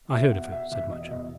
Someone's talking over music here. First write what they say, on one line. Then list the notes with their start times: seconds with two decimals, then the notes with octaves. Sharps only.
"I heard of her," said Matcham.
0.13 B2 E5
0.32 B2 F#5
0.52 B2 E5
0.72 E2 E5
0.91 B2 D#5
1.11 E2 D#5